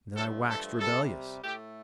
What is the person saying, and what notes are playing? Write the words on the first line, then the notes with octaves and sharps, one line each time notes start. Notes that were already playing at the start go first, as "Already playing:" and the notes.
Then I waxed rebellious.
G2 F3 A3 A4
A4
C3 G3 A4
A2 A3 G4